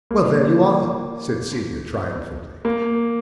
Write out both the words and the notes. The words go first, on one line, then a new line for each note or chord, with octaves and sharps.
"Well, there you are," said Celia triumphantly.
A#3
A#3